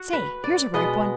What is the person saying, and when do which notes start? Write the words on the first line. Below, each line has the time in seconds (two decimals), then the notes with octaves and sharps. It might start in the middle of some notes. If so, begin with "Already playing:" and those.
Say--here's a ripe one.
Already playing: F#4
0.13 B4
0.44 D5
0.74 B2 G#3 B3 D#5